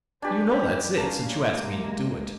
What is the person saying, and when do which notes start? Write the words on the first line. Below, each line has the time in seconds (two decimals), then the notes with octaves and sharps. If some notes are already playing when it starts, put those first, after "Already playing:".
You know that's it, since you ask me to do it.
0.22 C#4 D4 G4 B4 G#5
0.97 G3 C#4 F5 A5 A#5
1.46 G#3 A#3 E5